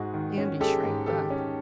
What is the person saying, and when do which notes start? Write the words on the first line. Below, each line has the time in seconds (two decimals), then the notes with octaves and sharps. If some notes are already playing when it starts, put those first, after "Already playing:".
Andy shrank back.
Already playing: G#2 G#3 F#4 G#4
0.14 D#3
0.38 C#4
0.60 G#3 G4 A4
0.84 G#2
1.06 D#3 G4 A4
1.30 C#4